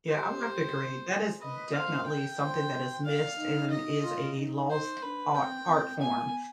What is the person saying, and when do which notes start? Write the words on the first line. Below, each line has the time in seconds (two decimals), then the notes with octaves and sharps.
Yeah, I would have to agree, that is definitely something that is missed, and is a lost ar art form,
0.09 G4 C5
1.08 G#4
1.41 B4 D#5
1.73 C5 F5
2.06 G5
2.39 C5
3.05 D5 F5
3.37 D#4
3.70 D#5
4.03 F4
4.36 D#4
4.70 C5
5.03 D4 B4
5.35 C4 G5
5.68 C4
6.00 B3 G#5